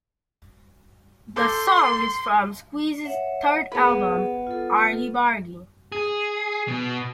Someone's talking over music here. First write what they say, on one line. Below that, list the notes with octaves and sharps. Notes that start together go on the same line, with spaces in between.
The song is from Squeeze's third album, "Argybargy".
A4 C6 D6 G6
C#5 E5 F#5
B3 G#4 A#4 B5
F4 A4
G#4
B2